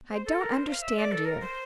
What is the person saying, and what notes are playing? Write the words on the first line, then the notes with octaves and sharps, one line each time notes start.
"I don't understand you."
C5
A4
A#4
C5
F5
E5
D5
A4
A#4
C5